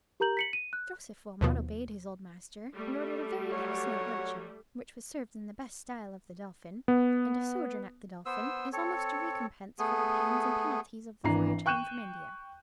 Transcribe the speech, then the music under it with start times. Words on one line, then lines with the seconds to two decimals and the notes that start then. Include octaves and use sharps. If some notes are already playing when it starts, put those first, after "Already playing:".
Joseph Wilmot obeyed his old master, and ordered a very excellent luncheon, which was served in the best style of the Dolphin; and a sojourn at the Dolphin is almost a recompense for the pains and penalties of the voyage home from India.
0.20 G4 A#4 A#5 G6 F#7
0.37 B6 C#7 F#7
0.53 D#7
0.73 F#6
1.41 D#2 B2 F3
2.75 G3 A3
3.51 F#3 C#5 F#5
6.88 B3
8.26 B3 C5 E6
8.73 C4 A4 C#5
9.79 A3 B3 G#4
11.24 G#1 E3 D4 A#5 C7
11.66 G5 C#6 F#6 G6 D#7 E7